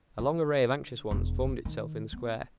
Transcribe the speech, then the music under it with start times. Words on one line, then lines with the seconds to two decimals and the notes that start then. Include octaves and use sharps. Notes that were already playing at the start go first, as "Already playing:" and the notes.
A long array of anxious ones formed itself in the square.
0.19 D3
1.11 E1
1.65 D#3
2.13 B3